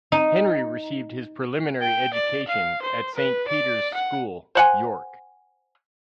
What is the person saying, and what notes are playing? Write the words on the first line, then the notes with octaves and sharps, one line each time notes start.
Henry received his preliminary education at Saint Peter's School, York.
D#4
G5
D5
F5
C5
B4
D5
F#5
C5 F#5 G#5